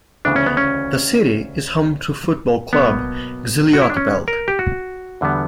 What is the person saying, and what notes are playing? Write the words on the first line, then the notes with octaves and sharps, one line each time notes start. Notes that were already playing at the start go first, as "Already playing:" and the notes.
The city is home to football club Xilotepelt.
D2 C#3 E3 B3 D4
C#4
B3
C#4
B2 F#3 A#3 B3
F#4
E4
D4
C#4
A#4
G4
F#4
E2 D3 G3 B3